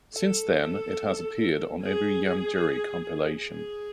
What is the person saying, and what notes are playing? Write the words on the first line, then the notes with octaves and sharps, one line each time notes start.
Since then it has appeared on every Ian Dury compilation.
A4
G#4
G#4